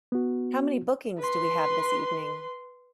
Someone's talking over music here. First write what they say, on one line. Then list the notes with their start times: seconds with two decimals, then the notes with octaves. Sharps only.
How many bookings do we have this evening?
0.12 B3 F#4
1.19 B4 C6